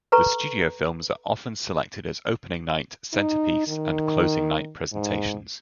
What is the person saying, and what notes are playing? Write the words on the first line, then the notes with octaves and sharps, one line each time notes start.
The studio films are often selected as Opening Night, Centerpiece, and Closing Night presentations.
A4 B4 A#5 C#6
D#4
D#3
G#2